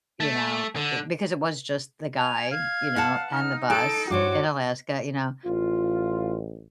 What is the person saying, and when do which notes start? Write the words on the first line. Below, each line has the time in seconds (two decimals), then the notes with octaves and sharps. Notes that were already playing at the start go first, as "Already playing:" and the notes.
you know, it it Because it was just the guy, you know, and the bus in Alaska, you know.
0.20 A3
0.76 D3
2.18 G#5 F7
2.51 F5 G#6
2.96 B4 F#5 A5
3.32 D#4 F6
3.70 A4 A5 D7
4.10 G2 F#4 G4 C5 C#5 D6
5.46 A1 F4